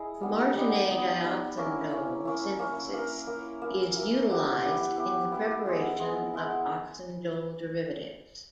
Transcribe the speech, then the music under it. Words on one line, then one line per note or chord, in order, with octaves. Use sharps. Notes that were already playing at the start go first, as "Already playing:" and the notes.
The Martinet dioxindole synthesis is utilized in the preparation of oxindole derivatives.
Already playing: E4 G#4 D#5
G3 B3 D#4
G3 B3 D#4
G3 B3 D#4
G3 B3 D#4
A#3 C#4 E4
A#3 C#4 E4
A#3 C#4 E4
A#3 C#4 E4
A#3 E4 A#4
A#3 E4 A#4
A#3 E4 A#4
A#3 E4 A#4
B3 E4 G4 B4
B3 E4 G4 B4
B3 E4 G4 B4
B3 E4 G4 B4
G#3 B3 E4
G#3 B3 E4
G#3 B3 E4